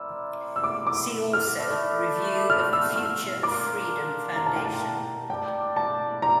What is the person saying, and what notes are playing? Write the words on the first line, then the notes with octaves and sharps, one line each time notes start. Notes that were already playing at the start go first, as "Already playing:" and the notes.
See also review of the Future of Freedom Foundation.
Already playing: C4 E4 A#4 D5 E6
E6
D6
D6
F6
A3 E4 A4 D5
F6
E6
F6
D4 F4 A#4 D6
A#5
A5
G5
A5
G3 D4 G4 D5 G5
A5
A#5